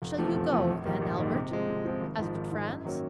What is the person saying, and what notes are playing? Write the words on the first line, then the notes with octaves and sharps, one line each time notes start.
"Shall you go, then, Albert?" asked Franz.
F1
E2 C3 F3 A3
F1
E2 C3 F3 A3
A#1
G#2 D#3 G3 A#3
A#1
G#2 D#3 G3 A#3
C3
F3 G#3 C4
C3
F3 G#3 C4
G#1
G#2 F3
G#1
G#2 F3
F#2
D#3 F#3 A#3 C#4